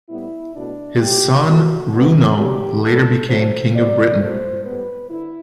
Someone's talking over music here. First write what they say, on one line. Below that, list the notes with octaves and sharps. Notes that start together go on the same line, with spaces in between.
His son Runo later became king of Britain.
A2 G3 B3 E4
B2 A3 D4
C3 F#3 A3 G4
A2 E3 A3 F#4
D3 G3 B3
D3 F#3 B3 G4
B2 G3 B3 A4
D3 F#3 A3 C5
C3 F#3 B3 D5
C3 F#3 A3 C5
A2 G3 B3 B4
D3 E4